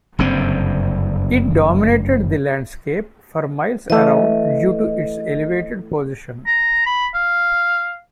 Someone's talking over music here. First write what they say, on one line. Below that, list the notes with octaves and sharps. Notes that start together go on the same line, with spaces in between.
It dominated the landscape for miles around due to its elevated position.
F#1 G2 D3 C4
E3 A3 D#5
A#5
B5
F5